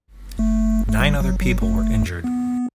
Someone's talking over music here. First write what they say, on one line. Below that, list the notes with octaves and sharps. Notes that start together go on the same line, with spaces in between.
Nine other people were injured.
A3
A3
G3
F#3
F#3
A3
B3